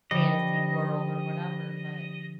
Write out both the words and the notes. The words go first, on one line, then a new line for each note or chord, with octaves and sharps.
fantasy world or whatever, but
D3 F3 G3 G4 D#5